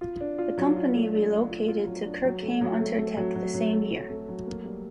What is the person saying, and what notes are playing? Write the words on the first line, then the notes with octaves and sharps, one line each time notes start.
The company relocated to Kirchheim unter Teck the same year.
F4
D4
F4
F#3
F4
A3
D4
D4
F4
F4
F#3
D4
F#3
A3
F#3
A3
A3
F#3
F#3
F#3
A3
F#3
A3
F#3
A#3
G3